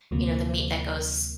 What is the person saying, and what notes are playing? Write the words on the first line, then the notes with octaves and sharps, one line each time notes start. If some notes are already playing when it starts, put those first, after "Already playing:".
you know, the meat that goes
D2 C3 F3 A#3